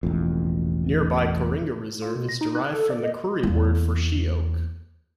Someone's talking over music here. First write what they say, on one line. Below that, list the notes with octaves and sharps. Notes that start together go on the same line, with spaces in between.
Nearby Kooringa Reserve is derived from the Koori word for sheoak.
E1 A1 F2
F4
B2
A#6
D#4
F#6
A4
D5
D#5
E2 A#3